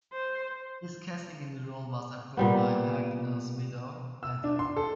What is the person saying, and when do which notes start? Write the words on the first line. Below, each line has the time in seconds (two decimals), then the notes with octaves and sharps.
His casting in the role was approved by Hartnell's widow, Heather.
0.12 C5
2.37 A#2 G3 B3
4.23 E6
4.44 D4
4.59 C6
4.76 A4